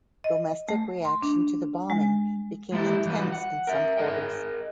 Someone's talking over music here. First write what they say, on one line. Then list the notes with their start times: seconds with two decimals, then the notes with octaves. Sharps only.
Domestic reaction to the bombing became intense in some quarters.
0.24 D#5
0.69 A3
1.05 C6
1.22 D4
1.90 G#3
2.72 G#3 A#3 E4 G4 A4
3.06 E3 G3 F4 F#4 B4
3.32 F#5
3.67 A#4 E5
3.97 G#4 A#4 D#5 G5